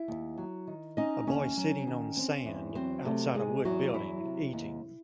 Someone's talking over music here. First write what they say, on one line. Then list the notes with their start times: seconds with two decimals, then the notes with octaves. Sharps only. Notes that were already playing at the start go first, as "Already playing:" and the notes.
A boy sitting on sand outside a wood building eating.
Already playing: E4 E5
0.08 D#2
0.38 F#3
0.67 D#3
0.97 C#4 D#4 D#5
1.27 D#2 C#4 C#5
1.57 F#3
1.87 D#3
2.17 C4
2.46 E2
2.75 F#3 C4 C5
3.05 C3 A3 A4
3.35 G#3 C4 G#4
3.65 E2 F#3 F#4
3.94 F#3 E4
4.24 C3
4.53 D#2